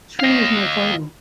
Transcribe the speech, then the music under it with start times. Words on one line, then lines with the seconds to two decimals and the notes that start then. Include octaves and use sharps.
String is my foible.
0.20 D#5 F5